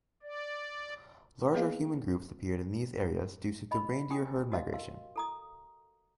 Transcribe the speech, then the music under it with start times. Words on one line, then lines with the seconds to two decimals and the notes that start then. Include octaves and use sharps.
Larger human groups appeared in these areas due to the reindeer herd migration.
0.23 D5
1.53 A#3 B3 G#4 B4 D#5 F5
3.71 D#5 B5
4.10 G4 G5 G#5 D#6
4.52 F#4 D#5 F5
4.74 A#4 F5 C6
5.16 A4 A#5 D#6